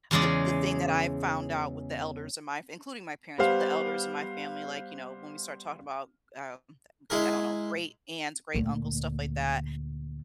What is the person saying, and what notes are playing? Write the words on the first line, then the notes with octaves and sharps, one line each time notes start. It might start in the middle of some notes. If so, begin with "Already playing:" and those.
the the thing that I found out with the elders in my f including my parents, with the elders in my family, like, you know, when we start talking about, um, mm, uh, I don't know, great-aunts, great-uncles, stuff like that,
E2 C#3 G#3 G#4 D5
G3 B3 G4 C5 F5
G#3 E4 G#4 A#4
D2 A#2